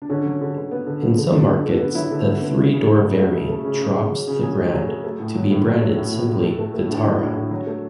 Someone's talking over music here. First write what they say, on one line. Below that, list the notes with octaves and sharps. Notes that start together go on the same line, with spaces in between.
In some markets the three-door variant drops the "Grand" to be branded simply "Vitara".
D4
D3 C#4
F#3
D3
D3
B3
D3
B3
D3
D3 D4
D3
D3
B3
F#3 E4
D3
B3
B3
F#3
C#3
C#3
A3
A3 F#4
C#3
A3
C#3
C#3
C#3
F#3
C#3
F#3 G#4
A3
F#3
A3
A3
A2
F#3
A2
F#3
A3
A2
A2
A2
A3
A3
A3
A2 D4
E4
F#3 D4
A2
A2
F#3
A3